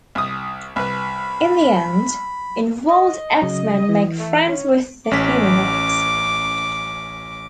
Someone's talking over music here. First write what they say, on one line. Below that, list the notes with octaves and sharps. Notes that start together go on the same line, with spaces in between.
In the end, involved X-Men make friends with the humanoids.
C2 D#6
C2 B4 B5
D#5
C#3 F#3
E3
A3
C#4
A1 C#4 D6 B6